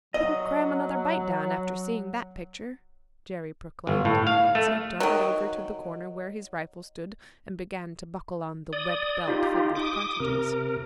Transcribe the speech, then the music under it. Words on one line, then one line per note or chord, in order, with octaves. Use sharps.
"Couldn't cram another bite down, after seeing that picture!" Jerry proclaimed, as he darted over to the corner where his rifle stood, and began to buckle on the webbed belt filled with cartridges.
F#3 D#5
G1
A2
F5
A3
D#3 F#3
D5 D#6
D#4 F4 G4
D6 D#6
C3 A#4